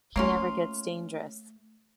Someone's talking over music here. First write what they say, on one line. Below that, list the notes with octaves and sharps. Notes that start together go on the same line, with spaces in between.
He never gets dangerous.
A3 A#3 C#4 F4